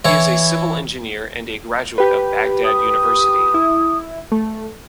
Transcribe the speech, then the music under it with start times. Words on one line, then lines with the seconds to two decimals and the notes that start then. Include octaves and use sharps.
He is a Civil Engineer and a graduate of Baghdad University.
0.05 E3 E4 C#5
1.98 G4 B4
2.64 D#6
3.54 E4
4.32 A3